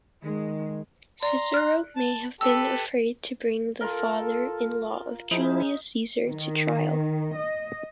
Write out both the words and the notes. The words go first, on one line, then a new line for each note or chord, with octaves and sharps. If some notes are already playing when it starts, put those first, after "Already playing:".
Cicero may have been afraid to bring the father-in-law of Julius Caesar to trial.
D#3 G#3
D5 A#5 C6
F6 F#6
A5
G4 A4 B4 E6
F4 A4 A#4
F3 D#4 E4 G#4
D#3
D#5